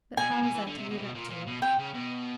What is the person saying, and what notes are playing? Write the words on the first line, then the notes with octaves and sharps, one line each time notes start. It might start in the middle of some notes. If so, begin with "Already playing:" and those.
But how was I to lead up to it?
B2 G#5
A#2
B2
E3
D3
C3
B2
C3
B2
A#2
A#2
B2
C3 G5
C#3
B2